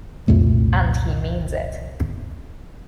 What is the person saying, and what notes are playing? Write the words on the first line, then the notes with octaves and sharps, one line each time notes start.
And he means it.
C2 F2 A#2 A3